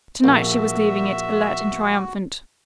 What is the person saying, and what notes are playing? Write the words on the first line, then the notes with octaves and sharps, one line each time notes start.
To-night she was leaving it alert and triumphant.
A#1 F#4 E5